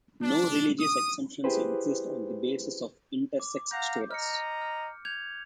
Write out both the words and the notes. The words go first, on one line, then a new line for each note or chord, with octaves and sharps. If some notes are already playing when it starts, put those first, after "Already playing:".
No religious exemptions exist on the basis of intersex status.
D4
D#6
E4 G4 G#4 B4 C5
D6
F5 F#5 A#5 G6
D#5 A#5 F6 C#7
F6
G6 G#6 F7